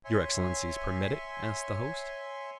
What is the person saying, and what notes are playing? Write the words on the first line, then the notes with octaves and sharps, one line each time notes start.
"Your excellencies permit it?" asked the host.
C#5 E5 G#5 C6